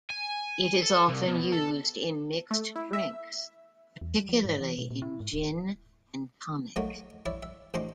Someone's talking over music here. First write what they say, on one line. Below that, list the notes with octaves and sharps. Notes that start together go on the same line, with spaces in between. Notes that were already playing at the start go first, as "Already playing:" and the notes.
It is often used in mixed drinks, particularly in gin and tonic.
G#5
A4
C2
B2
A4
A3
E4
E5
E2
G3
F3
G#2
E3
B2
A#2
E4
G#2
D1
F#3 A3 A#3 D#4 F#4 C#5
E4 C#5 D5 E5
E5
A1 D4 C5 D#5 C6 C#6